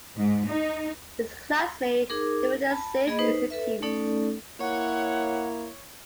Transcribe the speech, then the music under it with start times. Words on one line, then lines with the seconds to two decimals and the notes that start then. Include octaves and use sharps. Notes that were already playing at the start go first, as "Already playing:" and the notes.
His classmate, Duvinder Singh, is accused.
0.16 G#2
0.48 D#4
2.09 D#4 G#4 A#4 D6
2.70 A5 B5
3.07 A#3 G#4 D#5 B5
3.19 D#4 B4 C5
3.50 A4 B4 E5
3.82 A3 C#4 D#4 A4 D5
4.61 A#3 E4 C#5 F#5